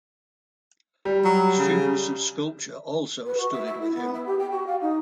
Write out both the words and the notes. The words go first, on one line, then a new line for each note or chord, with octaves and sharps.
Students of sculpture also studied with him.
G3
F#3
C#3
B4
F#4
E5
E5
E4
B3
E5
G4
G5
F#4
F5
D#4